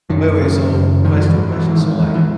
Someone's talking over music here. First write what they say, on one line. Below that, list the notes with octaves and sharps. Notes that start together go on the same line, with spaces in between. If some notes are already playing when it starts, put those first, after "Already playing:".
Wait, wait, so question, question, so, like
F#2 D#3
C#3
F#2
G#2 D#3
F#3
E3
G#2
E3
G#2
D#3
E2 E3
D#3
E3